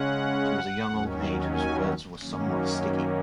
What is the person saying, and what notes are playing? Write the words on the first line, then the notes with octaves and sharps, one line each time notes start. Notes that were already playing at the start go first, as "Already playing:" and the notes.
She was a young old maid whose words were somewhat sticky.
Already playing: C#3 G#3 C#4 F#5
D#2 D#3 F#3 C#4
G#5
F#2 D#3 F#3 A#3 C#4